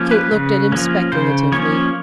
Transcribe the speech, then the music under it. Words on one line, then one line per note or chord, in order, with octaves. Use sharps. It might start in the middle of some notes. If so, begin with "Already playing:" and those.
Kate looked at him speculatively.
Already playing: F3 A#3 C#4
B4
C#3
F3 A#3 C#4
C#3 C5
F3 A#3 C#4 C#5